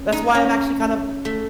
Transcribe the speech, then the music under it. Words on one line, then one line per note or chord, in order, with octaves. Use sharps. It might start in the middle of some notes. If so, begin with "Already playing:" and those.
That's why I'm actually kind of
Already playing: C#4
D#4
C#4
A3